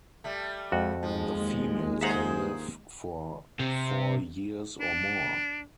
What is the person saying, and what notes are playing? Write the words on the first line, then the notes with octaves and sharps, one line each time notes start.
The females can live for four years or more.
G3 A3
F2 G#3 F#4 F#5
G#2 F3 G#3
D#2
A#3 G#4 C5 E5 F#5 A#5
C3
D4